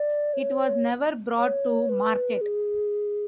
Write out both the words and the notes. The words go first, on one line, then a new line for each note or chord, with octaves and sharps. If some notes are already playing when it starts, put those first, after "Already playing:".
It was never brought to market.
Already playing: D5
C#5
C#5
B4
G#4